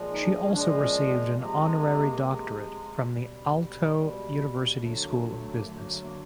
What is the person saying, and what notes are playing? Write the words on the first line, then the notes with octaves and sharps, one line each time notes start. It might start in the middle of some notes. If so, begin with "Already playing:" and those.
She also received an honorary doctorate from the Aalto University School of Business.
Already playing: A#2 F3 G#3
D#4
D4
C#4
A#2 F3 G#3 D4
C#4
C4
C3 F3 G#3 A#3
B3
A#3
B3
A#3
C3 F3 G#3
B2 G3
B2 G3 G#3
G#3
A3
B3
A#3
D3 F#3 A3
A#3
A3
A3
A#3
D3 F#3 A3
A#3
A3
A#3